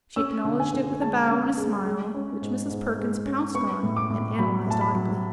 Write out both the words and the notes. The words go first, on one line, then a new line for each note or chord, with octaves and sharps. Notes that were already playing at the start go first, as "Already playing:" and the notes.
She acknowledged it with a bow and a smile which Mrs. Perkins pounced on and analyzed audibly.
C#4 E6
D3
G#5
D3
G#3 A5
C#4
G#3
G#3
C#4
G#2
G#2
G#3
C#4
B3 C#6
A2
D6
A2
F#3 B5
A2 A5
B5
F#3